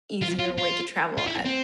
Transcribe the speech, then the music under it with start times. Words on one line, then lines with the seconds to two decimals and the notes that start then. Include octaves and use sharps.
easier way to travel at
0.22 F4
0.39 F4
0.58 F4
1.18 F4
1.27 E4
1.45 C4